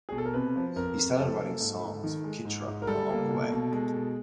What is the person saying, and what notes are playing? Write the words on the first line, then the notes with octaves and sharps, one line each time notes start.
He started writing songs for Chitra along the way.
G#4
B2
A4
A#4
C3 B4
F3
F2 A#4
F2
F3 A4
A#3
G#2
G#2
D#3
G#3
G#2
G#2
A#4
G3 A4
A#3
B2
B2
G#3
B2